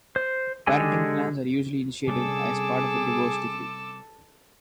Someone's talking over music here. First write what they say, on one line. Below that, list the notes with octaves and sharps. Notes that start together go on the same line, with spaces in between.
Parenting plans are usually initiated as part of a divorce decree.
C5
D3 G#3 G4 A4 G#5
C3 G3 C#4 G#4 A4 D6 E6